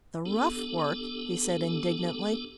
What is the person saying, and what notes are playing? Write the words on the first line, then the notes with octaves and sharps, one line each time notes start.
"The rough work!" he said indignantly.
B3 D4 G4 A4